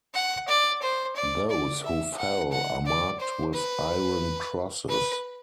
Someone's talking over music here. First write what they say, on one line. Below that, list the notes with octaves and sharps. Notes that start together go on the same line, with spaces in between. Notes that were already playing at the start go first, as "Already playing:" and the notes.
Those who fell are marked with iron crosses.
F#5
D5
C5
D5
D5
E5
F#5
F#5
D5
C5
B4
B4